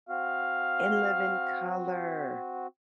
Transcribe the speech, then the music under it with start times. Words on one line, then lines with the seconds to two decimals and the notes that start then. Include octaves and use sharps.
In Living Color.
0.09 C4 F#4 F5